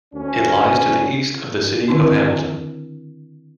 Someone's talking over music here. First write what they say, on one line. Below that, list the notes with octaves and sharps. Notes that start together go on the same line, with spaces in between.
It lies to the east of the city of Hamilton.
D2 C#4
D3 D#3 C4 D4 E4